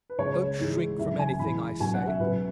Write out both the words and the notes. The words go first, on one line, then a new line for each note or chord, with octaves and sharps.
Don't shrink from anything I say.
B4
C#2 C#3 G#3 C#5
G#2 E3 G#3
E2 C#3 F#3 E5
G#5
E2 E3 G#3 B5
C#2 B2 F#3 G#5
F#5
E5
C#2 B2 F#3 B4